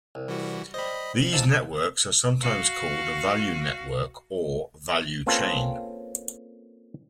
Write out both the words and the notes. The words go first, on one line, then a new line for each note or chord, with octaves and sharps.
These networks are sometimes called a value network or value chain.
C2
E3 G3 F#4
G3 C5 D#5 B5
G#2 E3 F3 D#4 A5 E6
F#4 F5
A#3 C4 C#4 F4 A4 B4